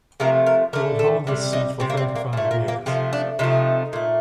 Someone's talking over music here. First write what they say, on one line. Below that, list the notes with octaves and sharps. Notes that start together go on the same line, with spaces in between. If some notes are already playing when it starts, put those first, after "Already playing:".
He would hold this seat for thirty-five years.
C3 F3 A3 A#4
A#4
D3 A3 A#4
A4
C3 G3
D#4
C3 G3 C4
A#3
C4
A#3
A#2 A3
A#3
A#3
C3 F3 A3 C4
D4
C3 F3 A3 D#4
A#2 A3